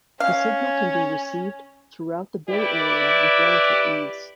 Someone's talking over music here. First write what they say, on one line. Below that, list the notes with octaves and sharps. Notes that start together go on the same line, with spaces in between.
The signal can be received throughout the Bay Area with relative ease.
C#4 F5
E4 G4 B4 D5